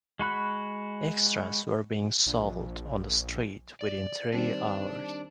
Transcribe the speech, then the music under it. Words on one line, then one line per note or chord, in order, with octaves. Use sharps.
Extras were being sold on the street within three hours.
G#3 F#4 B5 F#6
A#1
D5
D#3 G3 C4 D4 D5